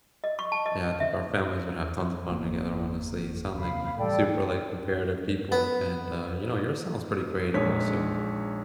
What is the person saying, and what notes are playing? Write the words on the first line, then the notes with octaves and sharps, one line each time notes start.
Yeah, I think our families would have tons of fun together, honestly, sound like, super, like, comparative people, and, uh, you know, yours sounds pretty creative also.
D#5
C#6
A5
D#5
E5
G1 A#3
D#2 C3 F5 B5
A2 E3 G3 A4 D5 G5
B3
A#1 G#3 D4 D#4 C#5 B6